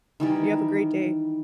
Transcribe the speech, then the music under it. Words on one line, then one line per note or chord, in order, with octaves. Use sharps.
You have a great day.
D#3 E3 G3